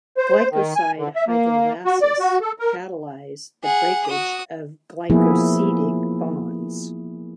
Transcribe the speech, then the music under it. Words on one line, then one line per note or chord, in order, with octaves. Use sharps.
Glycoside hydrolases catalyze the breakage of glycosidic bonds.
C5
D#3
G#5
D3
E5
A#3
F#4
D5
F#4
A4
A#4
G#4 F#5
F#4 D#6
F3 A#3 B3 E4 G#4